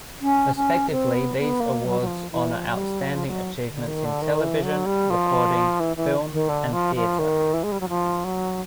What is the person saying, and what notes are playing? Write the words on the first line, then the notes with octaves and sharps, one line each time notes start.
Respectively, these awards honor outstanding achievements in television, recording, film, and theater.
C#4
C#4
C4
B3
B3
A#3
F#3
F#3
F3
E3
F3
F#3
G3
F#3
F3
F#3
D3
D#3
D3
D#3
E3
F#3
G3
F3
E3
E3
D#3
D3
F3
F3
D#3
E3
G#3
G3
F#3
F3
F#3